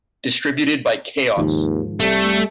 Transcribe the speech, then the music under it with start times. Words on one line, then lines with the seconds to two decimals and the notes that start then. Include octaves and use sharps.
Distributed by Chaos!
1.37 D#2 G#2 D#3 F3
2.00 C2 C3 G3 A3